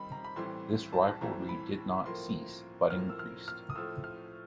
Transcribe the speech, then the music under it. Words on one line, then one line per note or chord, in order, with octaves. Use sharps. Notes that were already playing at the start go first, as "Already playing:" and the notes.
This rivalry did not cease but increased.
Already playing: D#3 G3 C4 D#4 B5
A#5
B5
A2 E3 G3 C4 C6
A5
A2 E3 G3 C4 A#5
B5
A2 F3 A#3 C6
A2 F3 A#3 F6
E6
F6
F6
D#6
A2 F3 A3 E6
F6